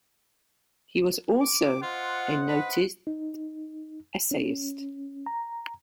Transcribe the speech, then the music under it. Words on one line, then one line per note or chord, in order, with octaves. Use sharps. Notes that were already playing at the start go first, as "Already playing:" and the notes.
He was also a noted essayist.
D6
F4 C5 D#5 F#5
B4
D#4
C#4
A#5